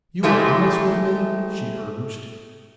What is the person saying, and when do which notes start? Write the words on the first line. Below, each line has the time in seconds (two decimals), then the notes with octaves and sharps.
"You are honest with me?" she urged.
0.23 G#2 G#3 A3 E4 G4